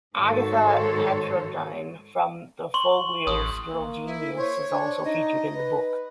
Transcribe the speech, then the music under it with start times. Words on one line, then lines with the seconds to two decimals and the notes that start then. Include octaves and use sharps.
Agatha Heterodyne, from the Foglios' "Girl Genius", is also featured in the book.
0.17 G#2 D#3 F#4 A4 C5 C#5
2.74 C6 C#6 F#7
3.27 A1 D#6
3.72 A#3
4.07 E4
4.38 C5 C#5
4.72 D4
5.05 D#4 D#5
5.56 B4